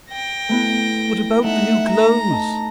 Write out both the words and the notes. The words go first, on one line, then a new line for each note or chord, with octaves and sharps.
"What about the new clothes?"
G5 A#6
A3 B3 E4
A3 D#4 E5 F#5
A#5
D#5 A5